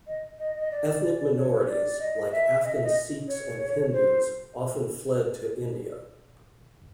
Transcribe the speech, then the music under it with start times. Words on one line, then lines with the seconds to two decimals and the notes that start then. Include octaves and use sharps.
Ethnic minorities, like Afghan Sikhs and Hindus, often fled to India.
0.07 D#5
0.39 D#5
0.55 D#5
0.72 D5
1.36 C#5
1.67 D5
1.99 D#5
2.31 E5
2.64 D#5
2.74 E5
2.84 D#5
3.28 C#5
3.92 C5